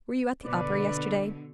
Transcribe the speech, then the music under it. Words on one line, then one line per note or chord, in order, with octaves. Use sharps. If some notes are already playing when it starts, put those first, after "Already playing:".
"Were you at the opera yesterday?"
B2 D3 B4 D5